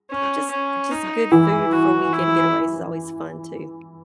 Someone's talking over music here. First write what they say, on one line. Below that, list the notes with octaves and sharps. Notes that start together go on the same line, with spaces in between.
just just good food for weekend getaways is always fun too.
C#4
C#4
D#4
E3 E4
F#4
E4